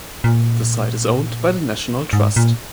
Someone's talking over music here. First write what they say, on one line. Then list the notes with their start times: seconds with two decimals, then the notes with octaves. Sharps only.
The site is owned by the National Trust.
0.24 A#2
2.13 G#2
2.36 A#2